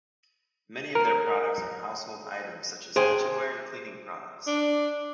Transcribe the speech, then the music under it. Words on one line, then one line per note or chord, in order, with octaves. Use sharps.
Many of their products are house-hold items such as kitchenware and cleaning products.
A#4
G#4 C5 G5
D4